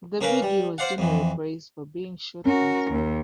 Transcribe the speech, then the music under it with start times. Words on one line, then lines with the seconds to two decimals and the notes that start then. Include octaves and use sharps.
The video was generally praised for being short and simple.
0.21 C#3 A#3 A#4 B4
0.42 G3
0.78 C5 D5 F5 F#5
0.98 F2 E3
2.45 C#4 F#4 A#4
2.91 D#2